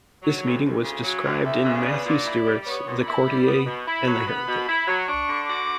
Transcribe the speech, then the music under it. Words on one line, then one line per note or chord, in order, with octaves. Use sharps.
This meeting was described in Matthew Stewart's "The Courtier and the Heretic".
F#3
D2
D2
C#3
F#3
D2
D2 E5
C#3
B3 D5
A#2
E4
G3
B3 C#5
A#2
E4 B5
G3
B3
B2
E4 B5
F#3
B3
B2
E4
F#3
D4 C#6
D3
F#4 D6